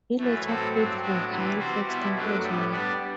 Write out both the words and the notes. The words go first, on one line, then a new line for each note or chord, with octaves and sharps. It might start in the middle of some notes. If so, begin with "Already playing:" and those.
He later played for Halifax Town as well.
F#2 E3 A3
A2 F#3 C4 F#4 A4
G2 F#3 C4
A2 F#3 B3 D4 F#4
C3 E3 G3
G3 C4 F#4 C5
B2 G3 B3 E4
F#2 F#3 A3 D4
A2 G3 B3
G3 B3 D4